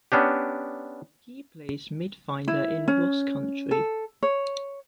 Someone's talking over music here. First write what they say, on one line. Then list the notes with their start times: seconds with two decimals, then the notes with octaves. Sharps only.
He plays midfielder in Ross Country.
0.12 B3 C#4 D4 G4
2.48 E4
2.88 C#4
3.71 A4
4.23 C#5